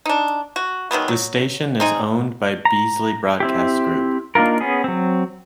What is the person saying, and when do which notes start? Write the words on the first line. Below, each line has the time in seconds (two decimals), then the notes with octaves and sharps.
The station is owned by Beasley Broadcast Group.
0.06 D4 D#4
0.56 F#4
0.91 D#3 F#3 G#3 B3
1.08 F#3
1.80 C4 D#4 G#4
2.65 A#5
3.40 C4 E4 G4
4.35 A#3 D4 D#4 F4 A#4
4.61 B3 C#4 G#4
4.84 F#3 C4